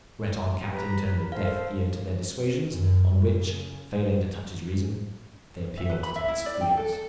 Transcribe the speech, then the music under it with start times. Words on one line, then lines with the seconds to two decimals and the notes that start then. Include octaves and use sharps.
The Breton captain turned a deaf ear to their dissuasions; on which, failing to touch his reason, they appealed to his fears.
0.72 G4 B4 A#5
1.01 A#4
1.32 A4 C5 F5
2.68 F#2
3.29 C#3
5.78 E5
5.90 B4
6.03 B5
6.16 E5
6.28 E4
6.46 D5
6.61 G5
6.77 A4
6.92 A4